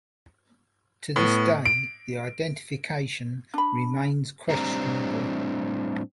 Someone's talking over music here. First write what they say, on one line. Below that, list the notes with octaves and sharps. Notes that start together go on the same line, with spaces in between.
To this day, the identification remains questionable.
A2 B3
D7
D4 B5
A2 G3 C4 D4 A#5